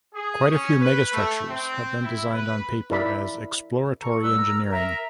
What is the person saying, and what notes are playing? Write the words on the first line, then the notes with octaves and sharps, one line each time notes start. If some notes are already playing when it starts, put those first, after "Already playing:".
Quite a few megastructures have been designed on paper as exploratory engineering.
G#4
C#4
B4
A3
C4
E4
B4
E4 A#4 D5 E5 B5
A4 A#5 C#6
C2 B4 E6
A#4 A#5
A#4 E5 A#5